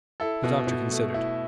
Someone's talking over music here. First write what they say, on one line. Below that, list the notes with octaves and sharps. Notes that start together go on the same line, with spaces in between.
The doctor considered.
E4 A4
B2
B2
A3
E4